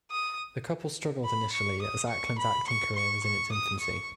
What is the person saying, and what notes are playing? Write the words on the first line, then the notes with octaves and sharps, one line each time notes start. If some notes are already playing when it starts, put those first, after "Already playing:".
The couple struggled initially as Ackland's acting career was in its infancy.
D#6
B5
C#6
D#6
C#6
B5
C#6
C#6
C#6
D#6
C#6